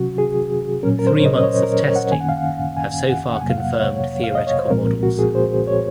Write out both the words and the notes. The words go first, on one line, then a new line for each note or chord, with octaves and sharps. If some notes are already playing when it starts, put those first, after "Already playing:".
Three months of testing have so far confirmed theoretical models.
Already playing: C3 F#3 C#4 F#4
G#4
A#2 F#3 C#4 A#4
A#4
C5
C#5
D#5
D#5
C#5
C5
A#4
C#5
F#5
F#2 D#3 A#3 C#4 G#5
F#5
F5
F#5
G#5
F#5
F#5
F2 C3 F#3 A#3 G#5
F5
F#5
C#5
F5
D#5
C#5
C5
C2 A#2 F3 G#3 C4 A#4
F#4
G#4
C5
C#5